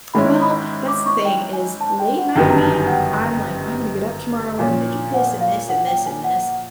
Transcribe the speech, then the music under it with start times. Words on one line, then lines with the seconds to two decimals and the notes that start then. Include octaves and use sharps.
Well, that's the thing is late night me, I'm like, "I'm gonna get up tomorrow and I'm gonna do this, and this, and this, and this,"
0.14 G#2 D#3 G#3 C#4 E4 B5
0.42 B5
0.88 D6
1.06 C#6
1.25 G5
1.53 G#5
1.81 A5
2.00 G5
2.18 F#5
2.36 G1 F#2 D#3 G3 B3 G5
2.50 A#5
2.55 A5
2.74 G#5
2.87 F#5
2.91 G5
4.59 A#2 F3 A#3 C#4
5.14 F#5
5.41 F5
5.69 F#5
5.87 G5
6.06 G#5
6.24 F#5
6.43 F#5